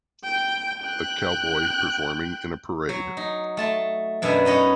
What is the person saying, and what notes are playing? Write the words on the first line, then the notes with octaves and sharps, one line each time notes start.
A cowboy performing in a parade.
G5
G5 F#6
F#3
D#4
A3 A5 C6
F#2 B2 B3 D4 E5 G#5
B3 C#4 D#4 D#5